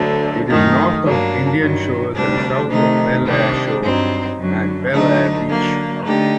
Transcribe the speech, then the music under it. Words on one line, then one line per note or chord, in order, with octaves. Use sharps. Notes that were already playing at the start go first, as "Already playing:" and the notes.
It is north of Indian Shores and south of Belleair Shore and Belleair Beach.
Already playing: D2 D3 F#3 A3
F#2 D#3 A3 D#4
G2 F#3 A#3 D4
G2 D#3 F#3
D2 C3 G3 D4
C3 D#3 A3 D#4
C3 D#3 G3 D4
G2 F#3 C4 D#4
F#2 D3 F#3
D2 D3 F#3 A3 D#4
D3 F#3 A#3
D3 A3 D#4 G4